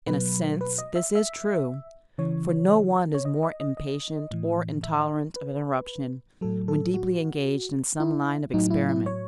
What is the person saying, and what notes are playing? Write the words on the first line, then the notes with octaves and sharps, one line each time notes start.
In a sense this is true, for no one is more impatient or intolerant of interruption when deeply engaged in some line of experiment.
B2 F#3 B4
B4
D#5
E5
E5
C#3 E3 C#5
C#5
D#5
D#5
D#5
D#5
A2 E3
E5
D#5
B4
A2 F#3 A4
A4
F#4
E4
A2 F#3 D#4
E4
E4
C#5